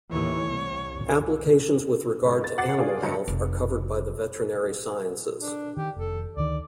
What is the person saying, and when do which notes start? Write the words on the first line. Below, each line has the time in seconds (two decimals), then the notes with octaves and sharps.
Applications with regard to animal health are covered by the veterinary sciences.
0.12 D#2 A2 E3 C#5
0.47 C2
2.25 G#2 C#3
2.44 A6
2.58 F#5 D6 A6 C7
2.78 D4 F4 F#4 G#4 C#5 D5
3.02 G1 G2 F#3 C#5 D#5 C#7
3.28 F1
5.40 D4
5.77 D#3 G4
5.96 F1 A4
6.37 D2 D#3 D5